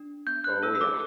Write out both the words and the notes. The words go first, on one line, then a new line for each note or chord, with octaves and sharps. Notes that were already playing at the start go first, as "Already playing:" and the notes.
Oh, yeah.
Already playing: D4
B3 G6
F#6
A4 E6
E6
D6